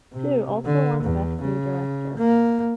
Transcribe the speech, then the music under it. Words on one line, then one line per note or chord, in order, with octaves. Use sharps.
Hsu also won Best New Director.
C3
D3
E2
C#3
A#3